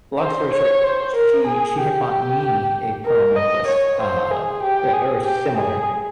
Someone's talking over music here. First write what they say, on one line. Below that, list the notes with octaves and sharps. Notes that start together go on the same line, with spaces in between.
long story short, she she had bought me a pearl necklace, uh, eh or similar.
C5
C#5
C5
A#4
G#4
G4
A#4
D#5
C#5
C5
G#4
G4
G#4
G4
G#4